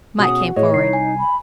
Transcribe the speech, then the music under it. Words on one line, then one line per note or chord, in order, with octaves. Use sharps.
Mike came forward.
B2 C#4 F#4 G#4 F#5 D#6
A2 E4 G#4 C#5 D#5
C2 D#4 C7
G#5
B5